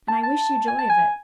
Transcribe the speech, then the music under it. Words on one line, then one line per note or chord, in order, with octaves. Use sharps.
And I wish you joy of it!
A5
A5
G#5
A5
G#5